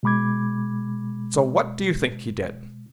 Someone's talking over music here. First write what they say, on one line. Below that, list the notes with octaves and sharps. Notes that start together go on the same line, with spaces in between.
So what do you think he did?
B2 G#3 B5 D6 G#6